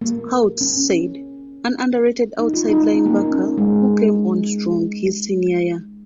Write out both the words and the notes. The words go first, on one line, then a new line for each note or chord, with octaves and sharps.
Scouts said, An underrated outside linebacker who came on strong his senior year.
A#3
C#4
D#4
F4
D#4
D#4
C#4
A#3
C#4
G#3